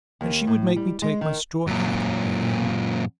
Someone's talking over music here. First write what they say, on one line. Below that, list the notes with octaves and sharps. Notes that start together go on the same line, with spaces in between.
And she would make me take my straw hat in my hand.
D#2
A2
G3
G#3
D#3
F#2 A#2